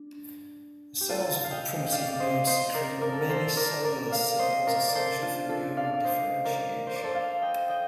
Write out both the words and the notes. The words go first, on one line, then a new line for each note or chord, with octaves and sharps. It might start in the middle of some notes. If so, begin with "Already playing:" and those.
The cells of the primitive node secrete many cellular signals essential for neural differentiation.
Already playing: D4
G4
F4 A4
F5
D#5 G5
G5
D5 F5
D5
C5 D#5
C5 D#5
A#4 D5
A#4 D5
A4
A#4
A4 C5
A#4 D5
A#4 D5
D5 F5
C5 D#5
A#4 D5
D5
A4 C5
D4 F4
F4 A4
D5 F5
D5
C5 D#5
A#4 D5
C5
D5
A4 C5
D5 F5
D#5 G5
D#5 G5